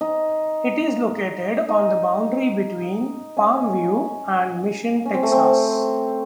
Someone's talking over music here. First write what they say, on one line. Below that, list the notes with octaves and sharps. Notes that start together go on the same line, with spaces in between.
It is located on the boundary between Palmview and Mission, Texas.
D#4
D#4
C#4
C#4
C4
A3
C4